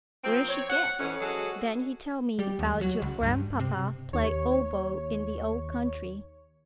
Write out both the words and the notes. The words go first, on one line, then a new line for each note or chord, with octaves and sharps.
Where she get?' Then he tell me 'bout your gran'papa play oboe in the old country.
F3 A#3 C4
C#5
F#5
F2 A2 E3 C#4
F#3 G#3 F#4 G#4 A4
G3
D#2
F#3
C#2
G2
C3
D#2 C#5